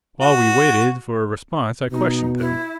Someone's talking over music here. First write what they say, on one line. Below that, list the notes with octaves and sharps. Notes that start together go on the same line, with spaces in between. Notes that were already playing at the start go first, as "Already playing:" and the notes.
While we waited for a response I questioned him.
F#4
B2 D#4
E4